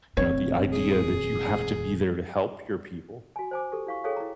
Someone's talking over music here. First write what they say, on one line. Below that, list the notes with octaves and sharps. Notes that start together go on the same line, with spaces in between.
you know, the idea that you have to be there to help your people,
D#1 F2 A3 C4 C#5
G#4
F#4 G#5
C5 G#5 D6
G4 A4
E4 F5 C#6
G#4 A4 C#5 F5 G5
E4 A#5